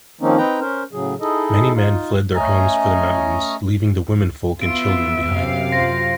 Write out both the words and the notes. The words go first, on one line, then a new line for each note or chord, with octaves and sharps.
Many men fled their homes for the mountains, leaving the womenfolk and children behind.
D#3 F3 A#3 C4 C#4 D#4
C4 D#4 B4 G5 A#5
C#4 A#4 C5
A2 C#3 F#3 G#4
D#4 E4 G#4 A4 D#5
D#4 F4
A3 C#4 D#5 G#5 A#5
B3 F4 E5 D7
F#2 C3 F5
F4 C5 A#6